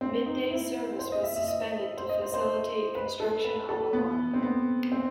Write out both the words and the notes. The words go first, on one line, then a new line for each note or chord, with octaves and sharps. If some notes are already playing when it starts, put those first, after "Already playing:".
Midday service was suspended to facilitate construction on the line.
C4
D#4
E4
C5
D#5
E5
E5
D#5
C5
D#5
C5
C5
B4
A4
B4
A4
B3
C4
B3
C4